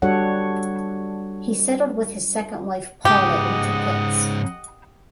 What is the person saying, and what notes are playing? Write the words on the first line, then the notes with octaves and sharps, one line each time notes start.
He settled with his second wife Paula in Teplitz.
G3 D4 F#4 A4 C#5 F#5
G#2 C#3 G4 D#5 F#5